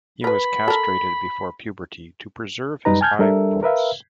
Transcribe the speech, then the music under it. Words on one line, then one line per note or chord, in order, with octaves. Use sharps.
He was castrated before puberty to preserve his high voice.
A#4 B4 B5
A4 A#4
F#2 G3 D#4 B4 A#5
G#5 A5 F6 G6 G#6
G3 D4 A4 A#4 E5
A#4 B4 E5 F5